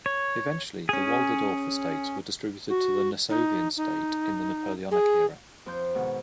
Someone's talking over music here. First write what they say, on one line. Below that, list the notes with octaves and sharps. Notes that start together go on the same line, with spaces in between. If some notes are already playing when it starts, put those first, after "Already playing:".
Eventually the Walderdorff estates were distributed to the Nassovian state in the Napoleonic era.
C#5
C#4 G#4
F#4
D#4
D#4
G#4
F2 C6 G6
G#2 B2 D#3